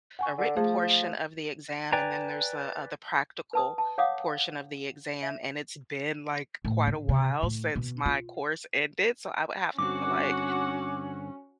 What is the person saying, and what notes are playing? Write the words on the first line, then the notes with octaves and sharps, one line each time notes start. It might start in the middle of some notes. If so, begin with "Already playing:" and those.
a written portion of the exam, and then there's a, uh, the practical portion of the exam, and it's been, like, quite a while since my course ended, so I would have to, like
F#5 G#5 C#6
D3
F3 A3 G#4
B4 D5 G5 G#5 A#5
B4 A5 D#6
A5
C#5 F5 F#5 D6 D#6
E5
A2
D3
C3
A2
B2
F4
G2 D3 C4 C#4 F#4 F#5 D6